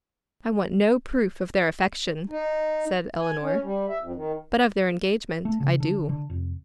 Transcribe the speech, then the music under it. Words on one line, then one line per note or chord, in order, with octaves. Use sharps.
"I want no proof of their affection," said Elinor; "but of their engagement I do."
D#4
G#5
C#4
G3
E5
F2
D#3
A3
C#3
D3
D3
F1